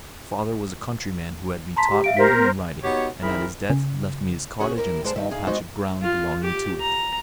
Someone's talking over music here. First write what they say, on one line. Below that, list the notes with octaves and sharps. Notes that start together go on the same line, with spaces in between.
My father was a countryman who had me taught reading and writing, and at his death left me his cottage and the small patch of ground belonging to it.
A5 A#5 C6 B6
G4
E5 F5 D7
G4 A#4 C5 B6
B3
B3 D#4 F#4 G4 C#5
D#3 C4 E4 G#4 A#4 B5
C#3
C#3 C#4 F#4 G#4 C#5
E4 G4 A#4 C5
G2 G#3 D4 G#4 C5 A5
D#3 D#5 E5
D#3 G#4 F5
G3 G#3 B3 D#4 F#4 C5
F4
G4
A#5